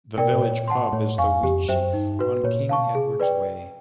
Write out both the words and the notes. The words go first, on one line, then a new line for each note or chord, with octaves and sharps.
The village pub is the Wheatsheaf on King Edward's Way.
B2 A#4 D5 G5
A2
A#2 C#5
A2 F#5 A5 C6
A2 C#5
F2 F5 G#5 C#6
F2 G4
F#2 C5 E5 G5
G2 D#4
G#2 F#4 B4
A#2 C#5
B2 F5 A5 C#6
C3 G#4
B4 D5 G5